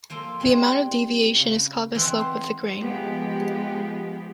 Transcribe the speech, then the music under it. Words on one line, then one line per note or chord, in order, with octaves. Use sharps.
The amount of deviation is called the slope of the grain.
F3 A#3 F4 A4
G3 G#3 C4 D4
C#3
E3 G#3 C4
B3 C5
F3 G#3 B3 G4